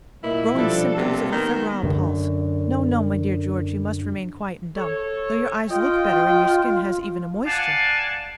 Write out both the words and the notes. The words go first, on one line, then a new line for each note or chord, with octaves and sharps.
"Growing symptoms of a febrile pulse--no, no, my dear George, you must remain quiet and dumb; though your eyes look better, and your skin has even a moisture."
A#2 E4 A#4 D#5 E5
B2 F3 G3 D4 F4 A4 C5 D5
C3 F#3 A#3 B4
D#3 B3
F#2 D3
A4 C#5
F4 D#5 G5
D5 F5 F#5 G#5 A5